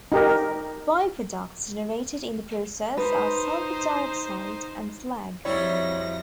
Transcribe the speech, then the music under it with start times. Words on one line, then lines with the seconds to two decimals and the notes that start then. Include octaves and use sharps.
By-products generated in the process are sulfur dioxide and slag.
0.12 D#4 G4 A#4
2.97 D#4 B4 C5
5.45 F2 F#3 G3 E4 C#5 A#6